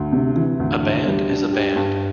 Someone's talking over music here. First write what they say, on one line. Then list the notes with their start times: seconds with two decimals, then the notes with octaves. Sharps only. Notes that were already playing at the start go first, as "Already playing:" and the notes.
A band is a band.
Already playing: D2
0.12 C3
0.35 E3
0.60 D2
0.83 D2
1.06 G3
1.29 D4
1.52 G4
1.76 G2